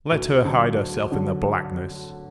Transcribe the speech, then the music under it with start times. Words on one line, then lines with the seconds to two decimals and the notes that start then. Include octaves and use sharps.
Let her hide herself in the blackness.
0.12 D2
0.45 D3 F#3
0.77 D2
1.11 D3 F#3